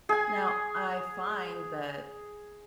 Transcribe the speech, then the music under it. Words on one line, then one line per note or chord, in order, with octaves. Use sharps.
now, I find that
G#4 G#5